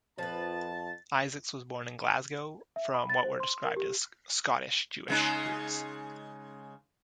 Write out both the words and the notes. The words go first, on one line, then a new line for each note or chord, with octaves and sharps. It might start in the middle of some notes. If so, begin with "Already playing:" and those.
Isaacs was born in Glasgow from what were described as "Scottish Jewish roots".
F2 F3 B4 A5 A6
E5
B5
A6
C5
C6
A#4
G4
C#3 G#3 D#4